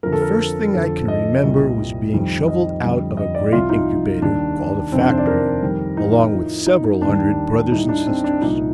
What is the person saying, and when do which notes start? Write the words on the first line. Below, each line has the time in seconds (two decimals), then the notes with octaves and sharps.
The first thing I can remember was being shoveled out of a great incubator, called a factory, along with several hundred brothers and sisters.
0.03 F2 D3 F3 A#4
0.12 A4
0.22 A#4
0.74 F2 D3 F3 A4
1.08 D#5
1.43 C2 A#2 G3
2.14 F2 D#3 G3
2.48 D#5
2.83 F2 D3 G3
3.17 D#5
3.35 D5
3.52 C2 C3 F3 F4
3.70 D#4
4.22 D#2 D#3 G3 D4
4.92 F2 C3 D#3 C4
5.01 D4
5.10 C5
5.18 D5
5.27 A#4
5.63 F2 D#3 G3
5.97 D#4
6.32 A2 F3
6.66 D#4
6.84 D#4
7.02 D#2 D#3 G3 D4
7.72 A2 G3 D#4
7.89 D4
8.07 C4
8.24 D4
8.42 C2 A#2 F3 D#4